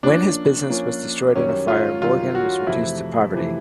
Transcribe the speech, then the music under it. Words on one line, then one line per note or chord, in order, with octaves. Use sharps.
When his business was destroyed in a fire, Morgan was reduced to poverty.
F3 A#3 C#4 D4
F3 A#3 C#4
F#2 D#3 G3 C#4
F4
F#2 D#3 G3 F4
F#4
F2 C3 E3 A3 E4
F2 C3 E3 A3